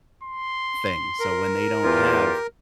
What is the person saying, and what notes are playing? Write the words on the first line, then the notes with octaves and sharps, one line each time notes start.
thing. So, when they don't have,
C6
A#4
E2 F4 G4